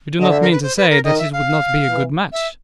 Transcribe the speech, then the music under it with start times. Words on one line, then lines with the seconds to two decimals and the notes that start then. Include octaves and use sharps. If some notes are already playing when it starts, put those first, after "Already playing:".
"You do not mean to say that it would not be a good match?"
0.20 D3 D#5
0.30 E5
0.42 A#4
0.51 B4
0.63 C5
0.77 B4
0.90 A#4
1.05 D#3 D#5
1.18 E5
1.33 F5
1.90 E3
2.32 E5